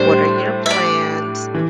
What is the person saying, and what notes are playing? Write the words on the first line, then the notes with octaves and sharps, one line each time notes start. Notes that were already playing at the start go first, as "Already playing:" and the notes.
What are your plans?
Already playing: A2 G3 D4 C5
E5
D5
E3